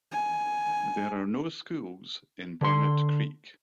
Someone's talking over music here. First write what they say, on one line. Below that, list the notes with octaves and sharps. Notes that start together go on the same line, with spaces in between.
There are no schools in Burnett Creek.
G#5
D3 C6